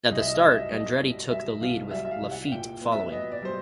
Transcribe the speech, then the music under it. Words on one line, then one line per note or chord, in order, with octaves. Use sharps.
At the start, Andretti took the lead with Laffite following.
C2 D#5
E5
D#5
E5
G3 D#5
E5
D#5
G3 D#5
G3
G3 E5
C2 F5
G3 E5
E5
F5
C2
F#5
A#2 G5
B3
E5
B3 D#5
D5
G3 C5